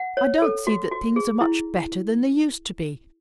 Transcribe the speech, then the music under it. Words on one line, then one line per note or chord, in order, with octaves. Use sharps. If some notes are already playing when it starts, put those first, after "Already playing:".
I don't see that things are much better than they used to be.
Already playing: F#5
C#5
A4
F#4
F#4
G#4
E4